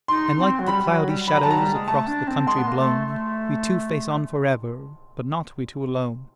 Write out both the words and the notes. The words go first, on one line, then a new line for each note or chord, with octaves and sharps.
And like the cloudy shadows Across the country blown We two face on for ever, But not we two alone.
D#4 C6
C4
F#3
G3 B5
G3
F#3
G3
F#3 B5
A#5
F#3 A5
A#5
G3
G#3
A3 A5
D4
C4
G#3 C6
B3
A#3
A3
A3